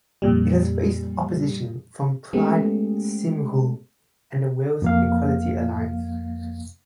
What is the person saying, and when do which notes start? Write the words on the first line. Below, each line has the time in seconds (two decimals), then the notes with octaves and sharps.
It has faced opposition from Pride Cymru and the Wales Equality Alliance.
0.22 F2 A#2 G3
2.33 G#3 A3 B3 C#4 G4 G#4
4.82 F2 A#3 F5